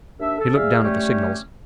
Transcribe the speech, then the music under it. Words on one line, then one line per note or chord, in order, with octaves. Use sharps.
He looked down at the signals.
D#2 D4 E5
A4
G#4 D5 E5 F5
G3 A3 C#4 G4